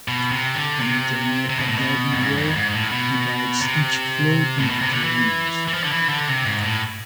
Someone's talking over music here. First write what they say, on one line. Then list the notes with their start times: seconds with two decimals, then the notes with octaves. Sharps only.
An internal adobe wall divides each floor into two rooms.
0.08 B2
0.32 C3
0.55 D3
0.79 C3
1.50 C3
1.59 B2
1.68 A2
1.78 B2
2.12 F2
2.21 G#2
2.37 F2
2.56 G#2
2.73 A2
2.92 B2
3.62 C3
4.59 A2
4.70 B2
4.81 C3
4.92 D3
5.04 E3
5.67 E3
5.74 F3
5.83 D3
5.92 E3
6.09 D3
6.27 C3
6.45 G#2
6.63 A2